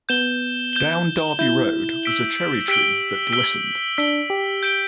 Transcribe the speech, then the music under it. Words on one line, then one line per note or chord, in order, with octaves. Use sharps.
Down Derby Road was a cherry-tree that glistened.
B3 G6 E7 G7
G6 E7 G7
E4 G6 E7 G7
E6 B6 D7 G7
G4 E6 B6 D7 G7
E6 B6 D7 G7
D4 E6 B6 D7 G7
G4
G6 D7 G7